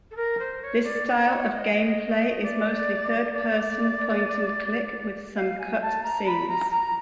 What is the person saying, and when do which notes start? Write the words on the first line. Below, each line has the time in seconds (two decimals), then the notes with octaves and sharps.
This style of game play is mostly third-person point-and-click, with some cut scenes.
0.11 A4
0.16 A#4
0.39 C5
0.62 C#5
0.84 D5
1.07 D5
1.28 C#5
1.52 D#5
2.42 D5
3.33 D5
5.35 F5
5.58 G#5
5.81 A5
6.03 A#5
6.26 B5
6.48 A#5
6.70 A#5